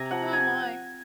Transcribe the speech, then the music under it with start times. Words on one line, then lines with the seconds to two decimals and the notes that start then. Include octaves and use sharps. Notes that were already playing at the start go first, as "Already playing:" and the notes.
Oh my.
Already playing: C3 G#5 A#5
0.11 F3 F#5
0.33 G#5